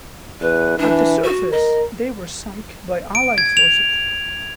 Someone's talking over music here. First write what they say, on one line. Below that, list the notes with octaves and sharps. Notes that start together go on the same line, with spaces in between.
At the surface, they were sunk by Allied Forces.
E2 B4
E3 D4
F#4
A#4 D#5
D7
G#6
F7